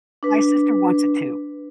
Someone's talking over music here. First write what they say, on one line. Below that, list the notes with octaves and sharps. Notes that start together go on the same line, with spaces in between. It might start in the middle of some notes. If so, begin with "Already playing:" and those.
My sister wants it too.
D4 B4